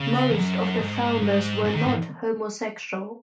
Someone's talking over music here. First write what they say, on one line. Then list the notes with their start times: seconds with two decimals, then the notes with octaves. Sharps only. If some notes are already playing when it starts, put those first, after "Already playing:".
Most of the founders were not homosexual.
Already playing: C#3
0.31 E2
0.39 F#2
0.81 G#2
1.22 G#2
1.64 G#2
1.74 D#3
1.86 G#2